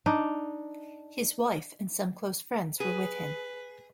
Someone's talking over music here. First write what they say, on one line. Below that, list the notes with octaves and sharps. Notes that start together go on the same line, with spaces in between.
His wife and some close friends were with him.
D4 D#4
G#4 B4